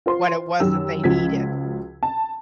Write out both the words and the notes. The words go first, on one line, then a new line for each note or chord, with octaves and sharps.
what it was that they needed.
F4 C5 C6
F#2 D#3 G4 E6
C#2 F3 F#4 G#6 B6
A5